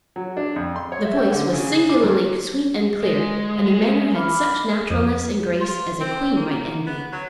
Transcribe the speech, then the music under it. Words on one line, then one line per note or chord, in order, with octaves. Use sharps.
The voice was singularly sweet and clear, and the manner had such naturalness and grace as a queen might envy.
F#3
D4
F2
C6
C#5
E5
G5
D3
C#3
G#4
D6
G2
G#3
B5 D6 F6
F2
F4
C4
A#3
B3
F#3